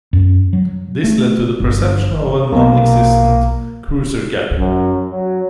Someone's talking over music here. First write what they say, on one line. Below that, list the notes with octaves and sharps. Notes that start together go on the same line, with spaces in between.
This led to the perception of a non-existent "cruiser gap".
F#2
F#3
A3
G1
B1 A#3
F#2
F#3